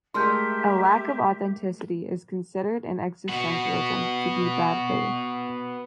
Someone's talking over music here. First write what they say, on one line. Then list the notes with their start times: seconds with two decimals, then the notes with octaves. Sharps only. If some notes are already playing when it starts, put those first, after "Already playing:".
A lack of authenticity is considered in existentialism to be "bad faith".
0.14 G#3 A3 G4 A#4 E5 C6 F6 G6
3.29 B3 F#4